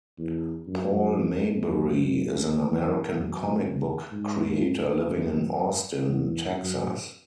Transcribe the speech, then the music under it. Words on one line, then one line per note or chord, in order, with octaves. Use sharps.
Paul Maybury is an American comic book creator living in Austin Texas.
E2
F#2
F#2
E2
F#2
G#2
F#2
E2
F#2